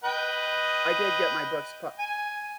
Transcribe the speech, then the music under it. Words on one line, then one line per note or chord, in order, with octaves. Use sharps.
I did get my books pu
B4 D#5 G5
G#5